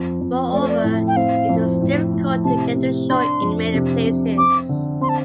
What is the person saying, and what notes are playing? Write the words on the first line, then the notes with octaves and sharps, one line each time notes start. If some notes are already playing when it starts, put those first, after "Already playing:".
Moreover, it was difficult to get to shore in many places.
Already playing: F2
F2
A3 D5
C5
D5
A2
G5
C4 F5
F2
A2
A2
C3 A5
C3
D4 C6
F2
C3
C3
C4 D6
D3
C4 C6
A5